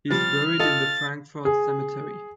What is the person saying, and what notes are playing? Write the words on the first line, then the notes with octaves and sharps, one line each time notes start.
He is buried in the Frankfort Cemetery.
F3 G3 F6 A6
F4 A4 D#5 A6
G#4